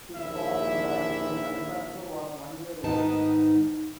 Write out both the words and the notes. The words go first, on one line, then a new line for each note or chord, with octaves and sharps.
His father died when Alfonso was one year old.
A#1 D#2 E4 E5
G#2 D#3 B3 D#4 A5